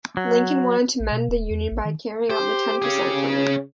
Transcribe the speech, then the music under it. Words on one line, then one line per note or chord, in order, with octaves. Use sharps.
Lincoln wanted to mend the Union by carrying out the Ten percent plan.
F#3
A#1
B2
D#1
E2
A1
D#3
G4 C5
C#4 G#4
C#3